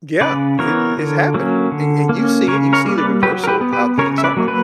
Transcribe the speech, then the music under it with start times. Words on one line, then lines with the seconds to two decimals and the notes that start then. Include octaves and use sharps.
Yeah, it it's happening, and and you see you see the reversal of how things are,
0.21 C#3 B4 D5
0.59 E3 B3 A#4 C#5
0.97 D3
1.34 F#3 A#3 C#4
1.72 D3
2.09 A#3
2.15 C#4
2.48 C#3 A#4 C#5
2.73 A#4 C#5
2.85 G3 A#3
2.98 B4 D5
3.23 F#3 G4 B4
3.44 A#4
3.48 G4 B4
3.61 B3
3.73 G4 B4
3.98 C#3 A#4 C#5
4.18 E5
4.24 B4 D5
4.37 F#3 A#3
4.48 B4